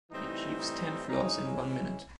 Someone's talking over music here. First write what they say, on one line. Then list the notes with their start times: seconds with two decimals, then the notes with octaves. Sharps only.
He achieves ten floors in one minute.
0.11 A2 E3 G3 C4 D#4
0.59 D#4
1.06 E3 G#3 C#4 D#4